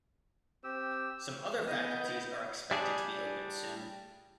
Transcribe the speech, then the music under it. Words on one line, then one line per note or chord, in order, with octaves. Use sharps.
Some other faculties are expected to be opened soon.
C4 G4 E6
B3 D#5 G6
G3 D4 G#4